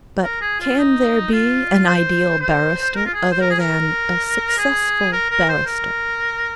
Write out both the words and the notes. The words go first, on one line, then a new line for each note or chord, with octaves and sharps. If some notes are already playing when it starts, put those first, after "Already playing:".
But can there be an ideal barrister other than a successful barrister?
A#4
G#4
F4
D#4
F4
C5
C5
A#4
F4
G#4
C5
A#4
G#4
A#4
G#4
A#4
A#4
C5
A#4